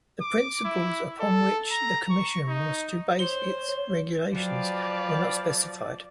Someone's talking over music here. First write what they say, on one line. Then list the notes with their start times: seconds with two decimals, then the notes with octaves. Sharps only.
The principles upon which the Commission was to base its regulations were not specified.
0.21 D6
0.64 E4
1.20 A4
1.71 A#5
2.10 C#6
2.48 D#4
3.19 C5 C#5 G7
4.35 F3 F#3 B4 D5 F5 G5